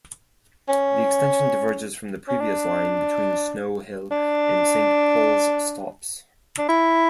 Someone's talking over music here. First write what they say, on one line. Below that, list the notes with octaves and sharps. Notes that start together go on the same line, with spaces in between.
The extension diverges from the previous line between Snow Hill and Saint Paul's stops.
C#4
C#4
D4
D4
D4
E4